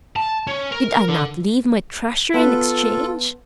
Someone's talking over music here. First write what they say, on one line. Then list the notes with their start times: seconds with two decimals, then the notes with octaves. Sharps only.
"Did I not leave my treasure in exchange?"
0.16 A5
0.47 C#4
0.72 A#4
1.08 D3
2.34 B3 F4 A4